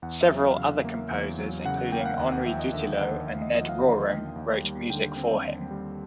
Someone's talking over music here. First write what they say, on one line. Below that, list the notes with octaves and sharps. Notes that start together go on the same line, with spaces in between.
Several other composers, including Henri Dutilleux and Ned Rorem, wrote music for him.
E2 F#5
E5
F#3
F5
C#3 F5
A#3
E2
F#3
C#3 F#5
F#5
A#3 G5
F5
F#5
D#2 G5
F#5
F3 E5
D#5
D3 E5
D#2 F#5
D#2 F5
D#5
F3 D#5
F5
D3 G5
D#2
D#2
G3
D3 G5
C4
D#2
G3